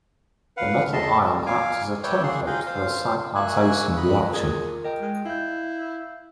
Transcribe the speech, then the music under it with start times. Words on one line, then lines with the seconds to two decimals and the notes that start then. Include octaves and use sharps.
The metal ion acts as a 'template' for the cyclization reaction.
0.57 B4 F5 F#5
0.93 E2 D#5 E5 A5 C6
1.29 G3
1.46 F5 G#5 D6
2.03 B4 C#5 D5 E5 G5
2.23 A#3 G#4 F#5 C6
2.46 D#4 F4 G#4 D#5 F5 G5
2.66 F4 C5 F5
3.35 A#3 F#4 E5 G#5 F#6
3.97 D#5 B5 F#6
4.34 F4 G#4 A#4
4.84 A#4 D#5 G5
5.01 G#3
5.25 E4 F5 G6